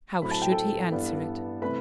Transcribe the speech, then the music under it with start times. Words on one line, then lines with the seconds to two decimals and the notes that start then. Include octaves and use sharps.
How should he answer it?
0.22 A2 F#3 A3 C4 B5
0.31 A5
0.42 G5
0.51 A4 A5
0.92 G2 E3 G3 B3 D4
1.62 C3 E3 A3 B4 B5